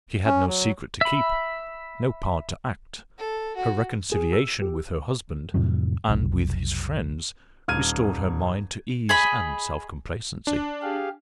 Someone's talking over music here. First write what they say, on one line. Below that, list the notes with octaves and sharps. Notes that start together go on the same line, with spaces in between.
She had no secret to keep--no part to act; her reconciliation with her husband and with his friends restored her mind to ease and self-complacency.
C#4
F#3
E5 B5
A4
F#4
G#4
E6
G4
F2 A2 C3 F#3
F1 B1
D#1 F6 G#6 D#7
G#4 D#5 B5
D4
G4 G#4 F5